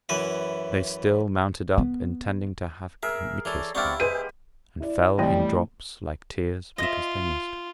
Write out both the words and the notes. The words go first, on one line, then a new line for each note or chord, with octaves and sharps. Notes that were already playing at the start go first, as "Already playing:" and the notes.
"They still mounted up intending to have kiss'd him. And fell in drops like tears because they missed him."
F#2 E3 B4 E5
B3
G#4 A#4 E5
E3 A4 C#5 D5
B3 C4 D4 E4 G4 D5 F5 C#6
G#3 G4 G#4 B4 C5 D#7
E4 D5
A2 E3 G3 C4 D#5 G5
F4 D#5 E5